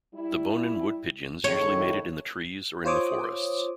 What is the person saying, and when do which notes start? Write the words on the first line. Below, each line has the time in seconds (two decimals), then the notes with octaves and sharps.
The Bonin wood pigeons usually mated in the trees or in the forests.
0.14 G3 E4
1.44 D#2 A2 C#3 C#5
2.85 F4 C5 C#5 D6 D#6